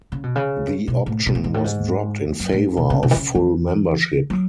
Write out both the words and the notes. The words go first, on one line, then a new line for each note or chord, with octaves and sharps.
The option was dropped in favor of full membership.
C#3
B2
C#3
B2
A2
B2
A2
G#2
A2
G#2
F#2
A2
B2
C#3
B2
D#3
C#3
E3
F#3